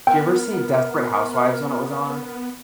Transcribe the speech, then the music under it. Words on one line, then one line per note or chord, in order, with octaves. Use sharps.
Do you ever see Desperate Housewives when it was on?
B3 A#4 G5